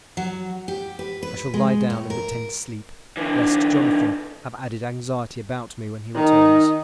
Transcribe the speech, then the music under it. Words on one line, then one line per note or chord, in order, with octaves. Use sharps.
I shall lie down and pretend to sleep, lest Jonathan have added anxiety about me when he returns.
F#3
G4
B4
B4
G#3
A2
A#4
D3 E3
D#3 D#4